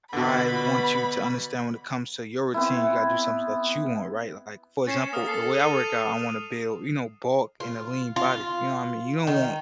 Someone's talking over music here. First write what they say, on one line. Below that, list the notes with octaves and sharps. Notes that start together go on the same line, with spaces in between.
I want you to understand when it comes to your routine, you gotta do something that you want." Right? Like, for example, the way I work out, I wanna build you know, bulk and a lean body, you know what mean? You don't want
B2 D3 B3 B5
B3 C4 E4
C#4 A6 C7 E7
A#3 D#6 F6
A4 C7
F6 D#7 F7
F4
F4
D#3